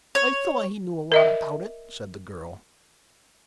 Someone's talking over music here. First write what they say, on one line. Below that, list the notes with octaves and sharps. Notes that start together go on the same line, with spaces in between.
"I thought he knew a lot about it," said the girl.
C#5
A#4 D#5 E5